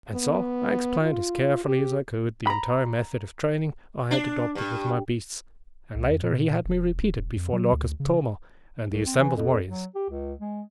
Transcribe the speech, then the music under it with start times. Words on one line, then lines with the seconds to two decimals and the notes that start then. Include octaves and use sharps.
And so I explained as carefully as I could the entire method of training I had adopted with my beasts, and later he had me repeat it before Lorquas Ptomel and the assembled warriors.
0.12 B3
1.01 F4
1.64 G4
2.47 A#5 B5
4.11 D4
4.55 G2
5.95 C2
6.10 F2
6.23 A#2
6.50 A#2
6.65 E1
7.01 D1
7.18 D#1
7.36 F2
7.53 F#3
7.72 D2
8.00 C#3
8.90 C2
9.06 C4
9.19 E3
9.36 F2
9.68 F#3
9.95 G4
10.10 C#2
10.40 G#3